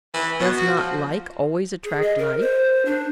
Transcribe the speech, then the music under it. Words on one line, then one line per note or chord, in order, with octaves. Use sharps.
Does not like always attract like?
E3
B2
F#4
F3
G#4
D#5
A#4
C5
D4